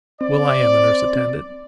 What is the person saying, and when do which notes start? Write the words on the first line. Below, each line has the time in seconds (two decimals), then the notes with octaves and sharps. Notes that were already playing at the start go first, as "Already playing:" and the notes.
Well, I am a nurse-attendant.
0.21 C4 D5